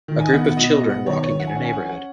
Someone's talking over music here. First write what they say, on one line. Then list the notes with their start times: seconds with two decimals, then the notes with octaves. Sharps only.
A group of children walking in a neighborhood.
0.08 D#3
0.20 G#5
0.27 D#5
0.33 B3 F#5
0.44 F#5
0.57 B2 D#5
0.74 D#5
0.81 B2
0.90 F#5
1.06 D#3 C#5
1.23 C#5
1.32 D#3
1.40 F#5
1.47 G#5
1.55 C#4 F#5
1.65 G#5
1.73 F#5
1.80 C#4 G#5
1.89 F#5